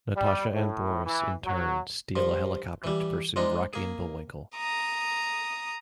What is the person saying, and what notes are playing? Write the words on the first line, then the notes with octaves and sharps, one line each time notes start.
Natasha and Boris in turn steal a helicopter to pursue Rocky and Bullwinkle.
G3
A2
E3
F#3
G2 F3
E3 G3
F3 G#3 D4 D#4
A#3 G#4
A#5 D#6